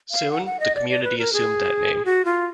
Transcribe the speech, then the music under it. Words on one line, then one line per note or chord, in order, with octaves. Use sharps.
Soon, the community assumed that name.
F5
F#5
F#5
D#5
D5
D5
B4
A#4
G#4
F#4
F4